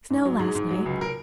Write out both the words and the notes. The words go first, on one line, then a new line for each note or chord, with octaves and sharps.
Snow last night.
G#2
F#3
G#2 G#4
G#2
F#3
C#2
A#4